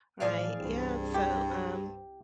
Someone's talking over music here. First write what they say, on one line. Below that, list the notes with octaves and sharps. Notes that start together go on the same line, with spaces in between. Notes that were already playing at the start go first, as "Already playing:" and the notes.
Right, yeah, so, um,
A2 E3 F3 G#4 D5 F5
C2 G2 C4
G4